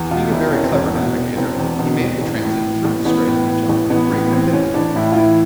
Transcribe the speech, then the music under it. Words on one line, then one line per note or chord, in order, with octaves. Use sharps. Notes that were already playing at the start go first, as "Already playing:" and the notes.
Being a very clever navigator, he made the transit through the Strait of Magellan with great rapidity.
Already playing: E2
B2 F4
E1 E4
E1 C#4
C4
E2 C#4
B2
E1
E1 C4
E2
B2
E1
A1
A2
E3
A1
A1 B3
A2
E3
A1
A1 B3
A2 B3
B3
E3 C4
A1 C#4
A1 D4
A2 E4
F4
E3 E4